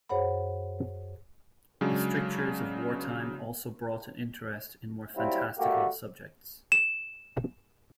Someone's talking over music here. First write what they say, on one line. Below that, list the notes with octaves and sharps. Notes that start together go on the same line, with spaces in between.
The strictures of wartime also brought an interest in more fantastical subjects.
F#2 G#4 C5 C#5 F#5 B5
C#3 F#3 G#3 D4
F#3 G3 C4 E4 F4
G3 A3 A#3 F#4 G4
E7